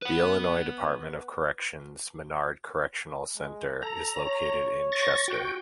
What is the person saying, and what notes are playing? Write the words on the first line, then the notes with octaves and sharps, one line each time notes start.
The Illinois Department of Corrections Menard Correctional Center is located in Chester.
B4 F#5
G#3
A4 A#5
C#5
C#6 A6 A#6
F#4 G5